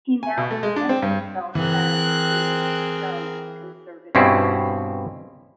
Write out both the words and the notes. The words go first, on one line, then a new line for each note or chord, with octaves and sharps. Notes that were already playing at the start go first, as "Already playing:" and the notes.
He now presents himself as the "young conservative".
G#5
B2
A3
G#3
D4
C4
G2
E3 C4 G#4 A#4 F#6
G2 B2 C4 C#4 E4